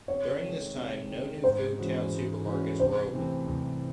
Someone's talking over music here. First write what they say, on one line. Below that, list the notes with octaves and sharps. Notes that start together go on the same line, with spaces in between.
During this time no new Foodtown Supermarkets were opened.
C3 C#5
D#3 G#3
C3
D#3 G#3
G#2 C5
E3 G#3 C#4 F#4
G#2
E3 G#3 C#4 F#4
C2 C5
C3 E3 A3 C4
C2